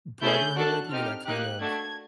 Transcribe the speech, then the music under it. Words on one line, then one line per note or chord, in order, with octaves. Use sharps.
brotherhood, you know, that kind of
A3 C#4 E4 G#4 G6
D4 F#4 A4 F#6
C4 D#4 G4 F6
A#3 D#4 G4 F#6
A3 D4 F#4 A4 G#6